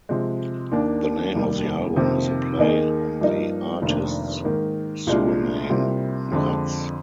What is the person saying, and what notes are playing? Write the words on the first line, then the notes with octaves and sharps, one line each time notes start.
The name of the album is a play on the artist's surname, "Mraz".
C3 F3 G#3
D#2 D#3 A#3 D4
F1 D#2 D#3 G3
F2 C3 D#3 A#3
D#2 D#3 A#3 D#4 G#4
G2 F3 A#3 D#4
F1 F2 D#3 A#3 D4
G#2 D#3 A#3
C2 A#2 G#3 D4 F4
C2 C3 G3 A#3 F4
F2 D3 G#3